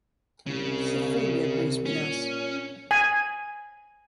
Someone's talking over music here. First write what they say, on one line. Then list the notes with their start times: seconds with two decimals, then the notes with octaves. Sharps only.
He fully agrees with us.
0.47 C2 C#3
1.86 A#2 C#4
2.91 G#5